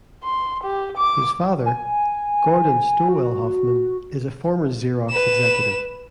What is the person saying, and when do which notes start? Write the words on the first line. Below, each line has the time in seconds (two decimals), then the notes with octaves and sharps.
His father, Gordon Stowell Hoffman, is a former Xerox executive.
0.24 C6
0.64 G4
0.97 D6
1.66 G#5
3.09 F#4
5.11 B4 E7